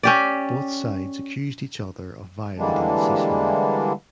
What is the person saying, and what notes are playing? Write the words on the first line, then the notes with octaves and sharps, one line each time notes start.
Both sides accused each other of violating the ceasefire.
C#4 G4 D5
D3 E3 G3 G#3 A#3 D4